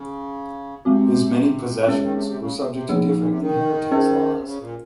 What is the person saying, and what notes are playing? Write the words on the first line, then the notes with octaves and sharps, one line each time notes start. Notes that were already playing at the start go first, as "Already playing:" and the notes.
His many possessions were subject to different inheritance laws.
Already playing: C#3
C3 G#3 C4 F#4
C3 G#3 C#4 G#4 C#5
D#3
C3
C#3
C3
C#3
C3
C3
C#3 F3 A#3 D#4 G#4
C#3
A#2
C3
D#3
C#4 G#4 C5
C3
C#3
A#2